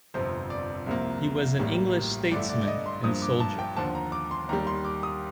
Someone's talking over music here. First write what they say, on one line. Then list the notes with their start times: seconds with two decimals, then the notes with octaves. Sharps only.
He was an English statesman and soldier.
0.14 G1 F2 C3 F3 C5
0.50 D5
0.86 C2 C3 F3 A#3
1.59 A1 A2 G3 A#3
2.32 G2 D3 A3 D5
2.49 D5
2.61 D5
2.67 D#5
2.86 C6
3.04 G2 F3 A#3 D#6
3.22 D6
3.40 A5
3.59 G5
3.77 D#2 D3 F3 A5
3.95 A#5
4.12 D6
4.31 C6
4.49 D#2 D#3 G3 A#5
4.67 C6
4.85 D6
5.03 D#6